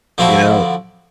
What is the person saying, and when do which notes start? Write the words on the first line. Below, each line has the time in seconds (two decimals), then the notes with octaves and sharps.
you know.
0.18 D3 F3 C4 E4 F#4